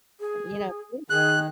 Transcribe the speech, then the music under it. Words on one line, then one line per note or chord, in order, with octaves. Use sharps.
you know, we
G#4
D#3 G#4 F#6